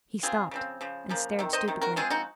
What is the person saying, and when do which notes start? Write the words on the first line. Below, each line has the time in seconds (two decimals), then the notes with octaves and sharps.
He stopped and stared stupidly.
0.23 C#3 F3 C4 F4 G#4
0.51 C#3 F3 C4
0.81 C#3 F3
1.09 C#3 F3 A#3
1.39 C3 D#3
1.53 C5 D#5
1.68 C3 D#3
1.81 F#4 A#4
1.96 F3 G#3 C4 F4 G#4
2.10 D#4 F#4